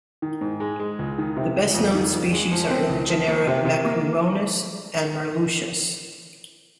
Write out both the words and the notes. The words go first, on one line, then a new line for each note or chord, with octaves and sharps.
The best known species are in the genera "Macruronus" and "Merluccius".
D#3
G#2
G#3
G#3
C#2
D#3
C3
C#2
F2
D#3
F2
G#3
F3
C4
C#2
F3
A#3
C3
C3
A#3